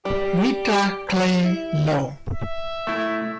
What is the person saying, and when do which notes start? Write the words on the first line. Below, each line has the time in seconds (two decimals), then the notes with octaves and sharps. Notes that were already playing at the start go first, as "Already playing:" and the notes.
Rita Clay Loam.
0.05 G3 G4
1.45 E4
2.33 E5
2.87 A3 E4